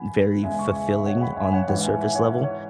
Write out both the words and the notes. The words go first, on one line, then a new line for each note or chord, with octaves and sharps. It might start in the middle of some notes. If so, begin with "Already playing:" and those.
very fulfilling on the surface level.
Already playing: G#2 E3 F#5 G#5 B5
E2 C#3 G#3 E5 G#5
G#5 C#6
E5 G#5
E5
C#5 F#5
F#5 B5
E5 G#5
C#5 F#5
G#2 E3 G#3 C#5 F#5
E5 G#5
E5 G#5
C#5 F#5
E5
C#5